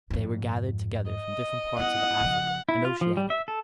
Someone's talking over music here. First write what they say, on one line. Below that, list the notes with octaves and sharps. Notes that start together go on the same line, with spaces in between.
They were gathered together from different parts of Africa and Oceanica.
F2 G#2
D#5
B3 E4 F#5
C#3 F3
E4
F4
F3
G3
E5
A4